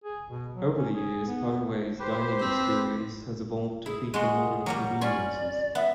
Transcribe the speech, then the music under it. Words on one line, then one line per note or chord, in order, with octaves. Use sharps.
Over the years, Pei Wei's dining experience has evolved to feature modern conveniences.
G#4
B2
F#3
C#4
G#4
B3
A3
G4 B4 C5
C4
E4 G#4
G#3 F#4 G#4 C6
F#3 G3 A#3
G3 C#4 F4 D5
B3 E5